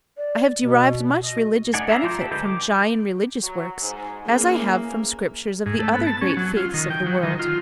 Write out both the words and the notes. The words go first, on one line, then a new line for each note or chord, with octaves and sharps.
I have derived much religious benefit from Jain religious works as I have from scriptures of the other great faiths of the world.
D5
B2
D#5
A3 D#4 D5 F#5 G#5
D5 E5 F5 G5 A#5
F3 F4 D6 G6
G4 A4
D3 G#3 D#4 B4 G6
D6
F#3
G#2
E3 A#3 C#4 G#4
G#2
A3
B3
A5
C#4
F#3
F4
D#3
G5
F#3
D#3
F4